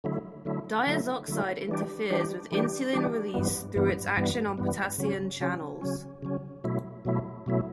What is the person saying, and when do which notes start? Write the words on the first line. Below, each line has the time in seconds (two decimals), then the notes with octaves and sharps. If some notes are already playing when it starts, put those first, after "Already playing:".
Diazoxide interferes with insulin release through its action on potassium channels.
0.04 D3 F#3 A3 E4
0.45 D3 F#3 A3 E4
0.86 D3 F#3 A3 E4
1.28 D3 F#3 A3 E4
1.69 E3 G3 D4 G4
2.10 E3 G3 D4 G4
2.52 E3 G3 D4 G4
2.93 E3 G3 D4 G4
3.34 G2 E3 G3 B3
3.76 G2 E3 G3 B3
4.17 G2 E3 G3 B3
4.58 G2 E3 G3 B3
4.98 C#3 F#3 C#4
5.40 C#3 F#3 C#4
5.81 C#3 F#3 C#4
6.23 C#3 F#3 C#4
6.64 B2 F#3 A3 E4
7.05 B2 F#3 A3 E4
7.46 B2 F#3 A3 E4